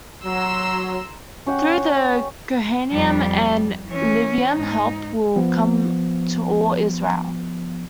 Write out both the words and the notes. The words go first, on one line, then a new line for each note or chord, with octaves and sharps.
Through the Kohanim and Levi'im help will come to all Israel.
F#3 A#5 C6 E6
C#4 G4 F#5
F2 G3
E3 C#4
G#2 D#4
F3 B3